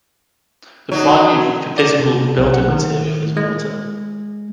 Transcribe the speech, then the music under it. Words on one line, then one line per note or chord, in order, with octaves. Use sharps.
The primary visible building material is water.
F#3 D#4
D5
C3
B1
F#5
D#3
G#3